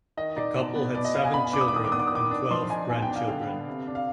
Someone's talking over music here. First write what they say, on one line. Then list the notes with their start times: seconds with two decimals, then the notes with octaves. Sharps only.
The couple had seven children and twelve grandchildren.
0.17 D#3 D#5
0.36 D#4 D5
0.56 B2
0.75 B3
0.95 B2 D5
1.05 D#5
1.14 B3 F5
1.24 G#5
1.34 B2 B5
1.53 D4 D6
1.61 D#6
1.68 D6
1.73 D#3 D#6
1.84 D6
1.92 B3 D#6
2.00 D6
2.07 D#6
2.12 D#3 D6
2.31 D4
2.51 F3 C6
2.70 D#4 G#5
2.89 B2 G#5
3.02 G5
3.09 D4
3.16 F5
3.28 D3 F5
3.47 B3
3.67 C3
3.87 D4
3.95 F5